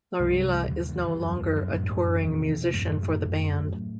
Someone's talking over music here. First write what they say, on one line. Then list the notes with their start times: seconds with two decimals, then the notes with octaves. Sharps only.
Laurila is no longer a touring musician for the band.
0.20 C2 G2 G3
0.38 C3
0.54 C2
0.70 D#2
0.88 D#2
1.05 D#2
1.21 F#2
1.39 F#2
1.56 F#2
1.72 F#2 A2 A3
1.90 F#2
2.07 F#2
2.23 E2
2.40 C3
2.57 C3
2.74 F#2 A2 A3
2.92 F#2
3.08 F#2
3.25 F#2
3.43 F#2
3.59 F#2